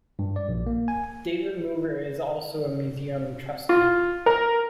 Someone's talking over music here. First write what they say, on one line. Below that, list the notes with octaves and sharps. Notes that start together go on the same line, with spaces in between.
David Mugar is also a Museum trustee.
G2
D5
A#1
A#3
G#5
F4
A#4